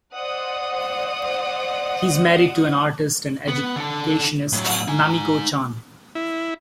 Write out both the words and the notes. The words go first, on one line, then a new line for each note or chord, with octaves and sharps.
He is married to an artist and educationist, Namiko Chan.
C5 D5 D#5 F#5 D#6
B3
D3 A4
A2 F#3
D#4 G#5
E4